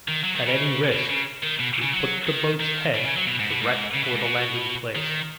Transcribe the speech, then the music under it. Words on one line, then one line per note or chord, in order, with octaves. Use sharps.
At any risk, we put the boat's head direct for the landing-place.
D#3
F#3
D#3
C#3
B2
C#3
D#3
B2
C#3
F#3
D#3
D#3
B2
C#3
F#3
B2
G#2
B2
G#2
C#3
B2
G#2
B2
D#3